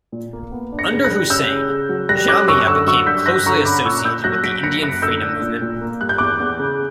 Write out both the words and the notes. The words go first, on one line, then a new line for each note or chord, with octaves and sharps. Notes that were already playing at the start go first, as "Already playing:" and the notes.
Under Husain, Jamia became closely associated with the Indian freedom movement.
A#2
A#3
B3
D4
A#6 C#7
C#3
F#6 A#6
G3
C#4 E6 G6
C#3
C#3
F#3
G3 F#6 A#6
C#4 D6 F#6
F#2 C#6 E6
F#6
D3 C#6 E6
F#3 C#6 E6
G2 G6 B6
G2 F#6 A#6
D3 A#5 C#6
C#4 B5 D6
A#2 C#6 E6
F#6
A#2 E6 G6
F#3 F#6 A#6
F#3 B6 D7
A#3 A#6 C#7
F#2 F#6 A#6
D3 E6 G6
D4
A#2
A#2
A#3
G3 F#6
G6
E2 D6 F#6
E2
C#3